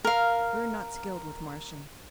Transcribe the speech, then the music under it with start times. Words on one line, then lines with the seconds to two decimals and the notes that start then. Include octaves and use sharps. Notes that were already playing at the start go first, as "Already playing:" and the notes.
"We are not skilled with Martian."
0.05 A#4 F5